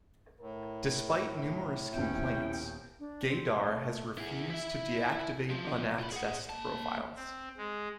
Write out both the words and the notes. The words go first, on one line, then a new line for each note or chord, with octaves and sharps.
Despite numerous complaints, Gaydar has refused to deactivate unaccessed profiles.
A2 A#4
D#1 B2 C#4 E4 G5
D4
C4
A3
E4 G#4
E4 E5
B1 F3
F4 B5
G#4 F#5
A#3 A5
C4
G#3